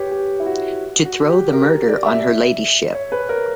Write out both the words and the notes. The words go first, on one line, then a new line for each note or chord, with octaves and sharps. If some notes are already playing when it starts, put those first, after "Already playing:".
To throw the murder on her ladyship.
Already playing: G4 B4 C#5
G4
E4
F#4
F#4
G4
A#4
D5
E5
C#5
B4
A#4